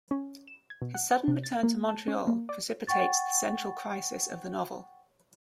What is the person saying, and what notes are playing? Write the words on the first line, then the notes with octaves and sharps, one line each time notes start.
His sudden return to Montreal precipitates the central crisis of the novel.
C#4
E7
G#6
B2
F#5
C3
A6
A#3
A5
C#4
A#3
D5
F#5 G5 C#6 A6